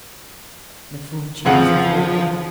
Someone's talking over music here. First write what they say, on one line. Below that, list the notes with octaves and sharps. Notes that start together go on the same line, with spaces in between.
"The fortunes of war ..."
F2 C#3 F3 F#5